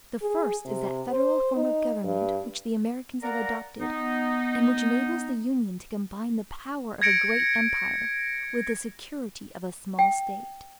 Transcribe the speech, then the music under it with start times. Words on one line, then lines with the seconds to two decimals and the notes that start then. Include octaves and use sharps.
The first is that Federal form of Government which the Americans have adopted, and which enables the Union to combine the power of a great empire with the security of a small State.
0.23 G#4
0.65 C3
1.12 C5
1.56 D#4
2.04 G2
3.22 A#4 D5 F5 F#5 A#5
3.79 B3 D#4
7.02 G#6 A#6 C#7 D7
9.99 G5